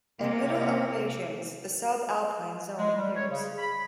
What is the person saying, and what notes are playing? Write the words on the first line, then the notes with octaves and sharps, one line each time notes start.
At middle elevations, the subalpine zone appears.
C3 A#3
G#3
G3
C#5
C#3
B5